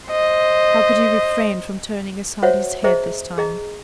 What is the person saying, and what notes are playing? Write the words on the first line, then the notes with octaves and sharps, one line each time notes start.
How could he refrain from turning aside his head this time?
C5 D#5
F#4 C5 C#5 E5 F#5
G#4 C5 D#5 E5 A#5
G#4 D#5 A#5